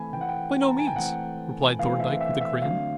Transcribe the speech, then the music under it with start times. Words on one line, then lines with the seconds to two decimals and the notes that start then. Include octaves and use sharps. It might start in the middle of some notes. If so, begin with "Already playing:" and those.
"By no means," replied Thorndyke, with a grin.
Already playing: E3 A3 C4 G#5 B5
0.13 E3 A3 C4 G5
0.21 F#5
0.29 G5
0.62 A#5
0.70 A5
0.79 G#5
0.87 G5
0.96 E3 A3 C4 F#5
1.79 E3 A3 C4 F5
2.00 E5
2.21 E5
2.41 E5
2.62 D3 F#3 A3 C4 F5